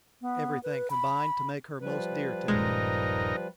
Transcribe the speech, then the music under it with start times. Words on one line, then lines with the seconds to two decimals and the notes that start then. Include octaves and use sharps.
Everything combined to make her most dear to me.
0.21 B3
0.63 B4
0.90 B5
1.82 F3 G3 B4
2.48 D#1 G2 G#3 D#4 A#4